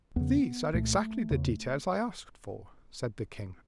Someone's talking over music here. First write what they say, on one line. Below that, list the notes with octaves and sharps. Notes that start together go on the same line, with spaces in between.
"These are exactly the details I asked for," said the king.
E2 C#3 B3
C2 A#2 A3
E2 C#3